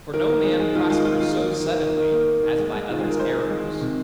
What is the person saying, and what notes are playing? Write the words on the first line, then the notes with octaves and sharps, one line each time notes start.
For no man prospers so suddenly, as by others' errors.
D#3 A#4
D#3
G#3
G#3
D#3 F4
G#3 F4
G#3 F4
D#3 F4
F4
A#3 D#4
D#3
D#3
A#3
D#3 A#4
A#3
A#3
D#3
G#3
G#3
D#3 F4
G#3 G#4
A#4
G#3 C5
D#3
G#3
D#3
C3